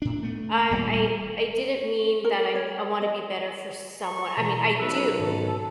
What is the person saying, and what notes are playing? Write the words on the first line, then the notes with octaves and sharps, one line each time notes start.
I I I didn't mean that I'm I wanna be better for someone I mean, I do.
A2 D4
A3 B3
D#1 A#2 G3 A3
A#4
C#5
D#5
C#6
B2 E3 A#5
B1 B4 E6
G#2 D#3 A4 A#5